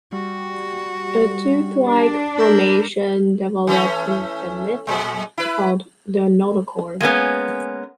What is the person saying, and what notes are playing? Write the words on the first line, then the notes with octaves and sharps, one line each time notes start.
A tube-like formation develops in the midline, called the notochord.
G3 F#4
D4
A#4 B5 E6 G6
E3 A3 C#4
A#2 G#3
E4 B4
G#3 A#3 B3 C#4